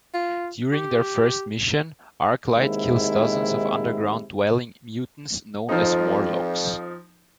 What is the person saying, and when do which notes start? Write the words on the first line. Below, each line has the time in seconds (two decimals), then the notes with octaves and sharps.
During their first mission, Arclight kills dozens of underground-dwelling mutants known as Morlocks.
0.14 F4
0.72 G4
2.55 D#2 G#2 C3 G#3 E4
5.69 F2 F3 C4 D#4